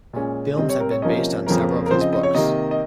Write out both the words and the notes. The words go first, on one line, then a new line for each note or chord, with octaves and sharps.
Films have been based on several of his books.
A#2 G#3 C#4
C3 G3 C4 D#5
C#5
A#4
C#5
C3 F3 A#3 C#4 D#5
F2 C#3 F3 A#3 C#4 A#4
A#4
C#3 F3 C4 C5
D#5
D#5
C#5
C3 D#3 A#3 D#5
D#5